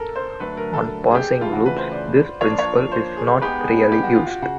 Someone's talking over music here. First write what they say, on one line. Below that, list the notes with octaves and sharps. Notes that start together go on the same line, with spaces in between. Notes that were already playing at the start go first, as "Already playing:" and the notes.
On passing loops this principle is not really used.
Already playing: A4 A#4
C5
D3 F#3 A3 D4 B4
A#4
A4
G#4
G4
C#3 E3 A3 F4
F#4
B4
C5
D5
F3 A#3 D4 F4 C#5
D5
C#5
C5
G#4
G#3 B3 D#4 G4 G#4 B4
G4
F#4
F4
F#4
C#3 F#4